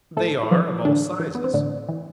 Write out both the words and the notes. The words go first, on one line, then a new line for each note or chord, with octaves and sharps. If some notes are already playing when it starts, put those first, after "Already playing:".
They are of all sizes.
A2 A3 A4
E4
E3 F3 F4
A2 D3 D4
E3
B3
C4
A2 D3 D4
E3